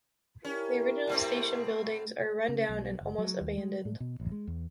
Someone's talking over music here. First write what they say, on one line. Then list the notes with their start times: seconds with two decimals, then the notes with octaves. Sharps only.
The original station buildings are rundown and almost abandoned.
0.45 C#4 E4 G4 A#4
1.07 B2 A3 C4
2.48 C#3
2.69 B1
3.01 F#1
3.18 F#3
3.41 D#2
3.57 G#3
3.85 A2
4.00 B2
4.20 A1
4.32 G#3
4.47 E2